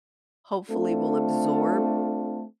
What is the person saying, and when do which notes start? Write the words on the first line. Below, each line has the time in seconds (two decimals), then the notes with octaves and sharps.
hopefully will absorb
0.69 A3 C4 D4 F4 A4